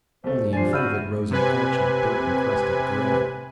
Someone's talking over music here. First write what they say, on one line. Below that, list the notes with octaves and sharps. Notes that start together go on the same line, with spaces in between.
Only in front of it rose an arch of dirt-encrusted gray.
C2 A3 C5
F3 G3 D4 C5 D5 G#5 A6 C7
F#4 E5 B5 E6 F6 G6 D#7
C3 B4 G#5